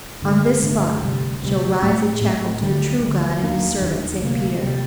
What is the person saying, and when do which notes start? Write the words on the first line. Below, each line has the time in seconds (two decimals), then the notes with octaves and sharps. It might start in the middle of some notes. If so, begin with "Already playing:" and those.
On this spot shall rise a chapel to the true God and his servant St. Peter.
0.22 G2 D3 A3 D4
0.63 G2 D3 A3 D4
1.02 D2 C3 G3
1.42 D2 C3 G3
1.81 A2 A3 C4
2.21 A2 A3 C4
2.61 D2 D3 G3
3.01 D2 D3 G3
3.41 D#2 D#3 A#3 D4
3.81 D#2 D#3 A#3 D4
4.21 D2 C3 G3 A#3
4.61 C3 G3 A#3